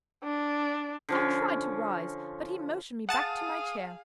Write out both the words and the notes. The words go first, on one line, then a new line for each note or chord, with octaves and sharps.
I tried to rise, but he motioned me back to my chair.
D4
D3 F3 C#4
G#4 F5 F#5 A5 D#6 A6